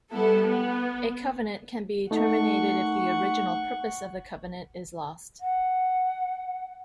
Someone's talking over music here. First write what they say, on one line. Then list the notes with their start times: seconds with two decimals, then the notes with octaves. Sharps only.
A covenant can be terminated if the original purpose of the covenant is lost.
0.11 G3 B3 E4 A4
0.43 B3
2.11 A3 D#4 F#5 A5 C#6
5.40 F#5